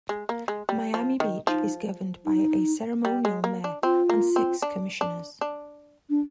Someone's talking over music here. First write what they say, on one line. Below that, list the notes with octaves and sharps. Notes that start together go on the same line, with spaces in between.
Miami Beach is governed by a ceremonial mayor and six commissioners.
G#3
A#3
G#3
G3
F3
D#3
F3 D#4
D#4
G3
G#3
A#3
D4
C4 F4
A#3
C4
D4
D4
D4
D4